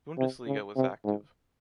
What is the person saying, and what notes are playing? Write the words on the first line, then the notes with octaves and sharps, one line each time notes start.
Bundesliga was active.
C3
C#3
C3
G#2